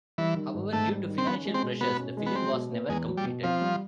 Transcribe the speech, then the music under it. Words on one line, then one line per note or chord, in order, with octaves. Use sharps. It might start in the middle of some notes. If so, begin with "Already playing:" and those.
However, due to financial pressures, the film was never completed.
E3 G3
D#3
G#2
G#2 A3
G3
D#3
C4
B3 C#4
G#3
C4
B2
B2 B3
C#4
G#3
B3
F#3 C4
B2
B3
E2 G#3
F#3
G3
B2
F3 C4
G3